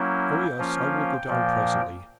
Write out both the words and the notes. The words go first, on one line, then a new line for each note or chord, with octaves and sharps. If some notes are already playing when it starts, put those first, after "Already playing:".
'O yes, I will go down presently.
Already playing: F#3 A#3 C#4 E4 G5
F3 A#3 C#4 F4
A#2 F3 A#3